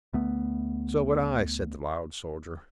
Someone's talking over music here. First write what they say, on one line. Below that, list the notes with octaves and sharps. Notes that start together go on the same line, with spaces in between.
"So would I," said the loud soldier.
D2 A3 B3